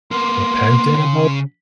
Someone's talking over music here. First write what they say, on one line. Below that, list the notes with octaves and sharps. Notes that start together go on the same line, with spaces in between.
repentant about it
A#3 B3 C6
C#3